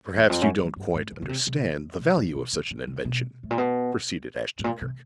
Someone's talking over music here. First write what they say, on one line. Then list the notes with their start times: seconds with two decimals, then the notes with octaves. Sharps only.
"Perhaps you don't quite understand the value of such an invention," proceeded Ashton-Kirk.
0.17 E2
0.29 F2
0.42 F#2
0.59 F#2
0.76 G2
0.94 G#2
1.12 C#3
1.22 C#3
1.29 C3
1.47 C3
2.00 B2
2.17 F#2
2.35 B2
2.53 C#3
2.71 D3
2.87 C3
3.05 B2
3.43 A2
3.50 A#2
3.58 B2
4.59 A2
4.64 A#2
4.81 C3